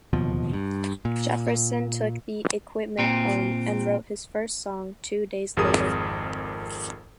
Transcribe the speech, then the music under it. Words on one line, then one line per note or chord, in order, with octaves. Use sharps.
Jefferson took the equipment home and wrote his first song two days later.
D1 D#2 B2 F3
G2
A#2
A#2 C4
G#1 F2 G#4 A#4 D#6